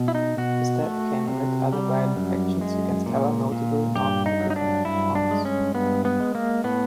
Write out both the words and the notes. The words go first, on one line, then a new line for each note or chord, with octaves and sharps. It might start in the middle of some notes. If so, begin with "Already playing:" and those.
His death came amid other violent actions against notable North African performers.
Already playing: B2
E4
D#4
B2 F#4
A3
C3
G3
F#2
G#3
A#2
A#2
G2 G4
D#4
F#3
D#4
D4
G2 E4
D4
G#3
C#4
G2 B3
B3
G#3
A#3
A2 B3